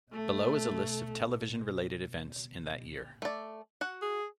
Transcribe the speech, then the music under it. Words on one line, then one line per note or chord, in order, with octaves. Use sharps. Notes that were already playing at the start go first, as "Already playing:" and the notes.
Below is a list of television-related events in that year.
A3
A3 D5
F#4 F#5
G#4